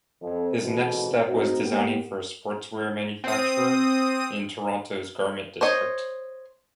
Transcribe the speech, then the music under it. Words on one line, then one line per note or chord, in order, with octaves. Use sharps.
His next step was designing for a sportswear manufacturer in Toronto's garment district.
F2
A1 F2 G#2 B2
A3 C4 D#4 F#4 A#4
A#3 B3 G4
C4 D#6
C5 C#5 D#5